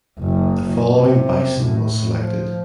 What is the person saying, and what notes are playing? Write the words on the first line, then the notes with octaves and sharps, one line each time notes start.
The following Bison was selected.
F#1
C3
A2
F3